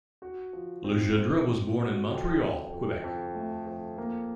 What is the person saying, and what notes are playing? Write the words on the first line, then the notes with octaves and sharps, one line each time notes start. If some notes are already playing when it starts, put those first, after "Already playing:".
Legendre was born in Montreal, Quebec.
F#4
F3
C4
C5
C4
F#4
F2
F2
F2
F2
A3
F2
A#3